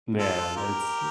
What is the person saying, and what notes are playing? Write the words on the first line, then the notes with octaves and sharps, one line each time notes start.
man, it's
F4 A4
G4 A#4